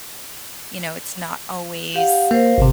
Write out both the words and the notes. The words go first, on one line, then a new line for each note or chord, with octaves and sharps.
you know, it's not always
G4 F5 F#5
A#3 A#4 C5 F5
G#1 C3